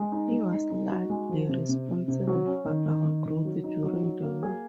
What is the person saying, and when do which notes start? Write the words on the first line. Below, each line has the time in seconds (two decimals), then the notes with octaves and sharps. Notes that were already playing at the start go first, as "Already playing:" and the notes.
He was largely responsible for our growth during the war.
Already playing: G#3
0.12 D#4
0.31 G#3
0.51 D#4
0.70 D#4
0.90 F#4
1.10 G#3
1.29 F3
1.49 C3
1.69 C3
1.89 C3
2.08 C3
2.28 F#3
2.46 C#4
2.66 D#3
2.86 D#3
3.05 D#3
3.26 D#3
3.45 F#3
3.64 D#4
3.84 F#3
4.03 F#3
4.23 A#3
4.43 G#4